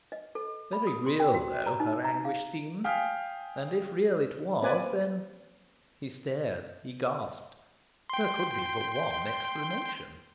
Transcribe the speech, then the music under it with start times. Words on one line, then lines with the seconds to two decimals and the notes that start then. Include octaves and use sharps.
Very real, though, her anguish seemed; and, if real it was, then--he stared, he gasped--there could be but one explanation.
0.12 D#5
0.35 A4
0.73 B5
0.87 D#6
1.06 C6
1.20 G5
1.34 F#4
1.66 A#5
1.80 D#4
2.05 A#5
2.25 F5
2.84 F5 G5 G#5 D#6 F6 B6
4.62 A#3 C4 C#4 B4 D5 G#5
8.10 G5 C6